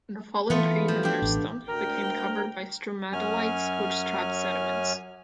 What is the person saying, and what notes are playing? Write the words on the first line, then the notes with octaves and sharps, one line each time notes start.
The fallen trees and their stumps became covered by stromatolites which trapped sediments.
E3 A3 B3 F4
F3
D4 G4
A1
D2 A#4 G5
F#2 F#3 C#4 G#5 F6